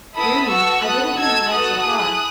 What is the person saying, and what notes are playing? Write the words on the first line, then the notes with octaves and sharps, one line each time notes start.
Dear me, I didn't mean to ride so far.
B3 E4 A4 B5 D#6
B3 F#4 A4 C#6 E6
B3 F#4 A4 D#6 F#6
D#4 F#4 A4 E6 G#6
B3 D#4 F#4 A4 D#6 F#6
A3 E4 G#4